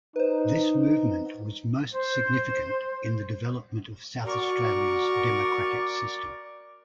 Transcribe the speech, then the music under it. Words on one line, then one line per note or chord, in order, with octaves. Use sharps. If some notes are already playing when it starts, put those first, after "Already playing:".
This movement was most significant in the development of South Australia's democratic system.
D#4 B4 C5
C5
F#4 A#4 D5 C#6